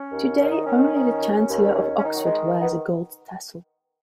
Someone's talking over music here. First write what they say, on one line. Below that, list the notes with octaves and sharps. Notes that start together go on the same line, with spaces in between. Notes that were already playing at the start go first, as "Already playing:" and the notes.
Today, only the Chancellor of Oxford wears a gold tassel.
Already playing: C#4
D#2
D#3 C#4
D#4
D#3 C#4
D#3
D#2
D#2
D#3
C#4
D#3 D#4
F#3
G#3
D#3
D#3 B3